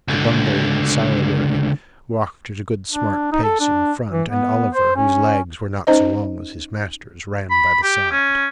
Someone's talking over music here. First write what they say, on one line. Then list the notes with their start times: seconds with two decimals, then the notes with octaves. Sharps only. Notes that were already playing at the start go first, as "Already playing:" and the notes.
Mr. Bumble and Sowerberry walked at a good smart pace in front; and Oliver, whose legs were not so long as his master's, ran by the side.
0.08 C#2 D3
2.93 D4
3.32 D#4
3.43 A4
3.60 D4
4.13 E3
4.30 B3
4.75 C5
4.96 C#4
5.87 C#4 D#4 C5 D#5
7.50 B5
7.83 G4
8.11 C#4